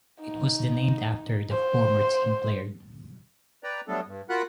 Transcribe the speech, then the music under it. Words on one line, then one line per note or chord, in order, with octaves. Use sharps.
It was the named after the former team player.
D#4
C5
B4 D5 G5 A#5
F#3 G3 A3 B3 D4 A4
G2
F4 F#4 A#4 F#5 B5 F#6